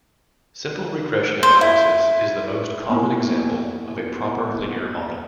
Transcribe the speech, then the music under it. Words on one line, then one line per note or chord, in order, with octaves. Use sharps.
Simple regression analysis is the most common example of a proper linear model.
C5
E4
A#3 B3 E4